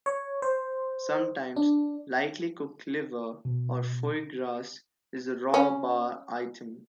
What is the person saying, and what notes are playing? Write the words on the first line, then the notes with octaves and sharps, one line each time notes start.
Sometimes lightly cooked liver or foie gras is a raw bar item.
C#5
C5
D4
B2
C#4